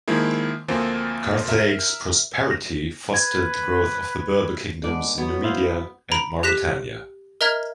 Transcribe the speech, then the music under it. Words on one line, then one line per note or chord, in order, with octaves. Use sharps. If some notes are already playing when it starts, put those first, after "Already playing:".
Carthage's prosperity fostered the growth of the Berber kingdoms, Numidia and Mauretania.
D#3 F3 G#3 A#3 E4
D2 F3 A#3 C4
A#4 E5
A#6
B4 G#6
G#3 B3 D4 D5
F#3 B3 F#4
C4 E4 C5 F5
A#5 B5 D7
G4 F#6 A#6 B6 E7
A#4 D#5 E5 A#5 F6 G#6